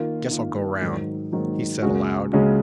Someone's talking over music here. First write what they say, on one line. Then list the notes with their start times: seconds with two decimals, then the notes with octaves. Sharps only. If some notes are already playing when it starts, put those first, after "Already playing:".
Guess I'll go round,' he said aloud.
Already playing: D#3 A#3 F4
0.31 D#3 A#3 F4
0.81 G#2 D#3 F#3
1.32 G#2 D#3 F#3
1.82 C#2 C#3 G#3 C#4 F#4
2.33 C#2 C#3 G#3 C#4 F#4